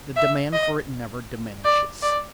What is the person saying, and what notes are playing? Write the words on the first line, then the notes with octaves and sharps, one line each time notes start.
The demand for it never diminishes.
E5
D#5
D5
D5